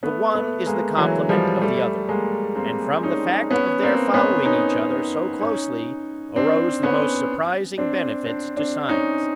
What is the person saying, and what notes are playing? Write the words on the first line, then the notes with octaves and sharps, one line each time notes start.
The one is the complement of the other; and from the fact of their following each other so closely arose the most surprising benefits to science.
A3 B3
A3 B3
G#3 A#3
E3 F#3
F3 G3
G3 A3
G#3 A#3
A#3 C4
C#4 D#4
B3 C#4
A#3 C4
B3 C#4
C#4 D#4
C#4 D#4
C4 D4
B3 C#4
C4 D4
C4 D4
C4 D4
C#4 D#4